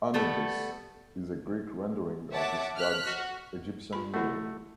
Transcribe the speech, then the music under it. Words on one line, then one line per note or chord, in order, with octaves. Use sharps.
"Anubis" is a Greek rendering of this god's Egyptian name.
G3 A3 B3 A4
C#5 E5 F#5 A5 D6
F6 F#6 B6
F#4
F4 B5
A3 E4 F#4 F#5